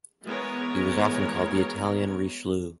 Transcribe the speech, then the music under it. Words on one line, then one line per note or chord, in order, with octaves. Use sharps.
He was often called the "Italian Richelieu".
E3 G#3 B3 A#4 C#5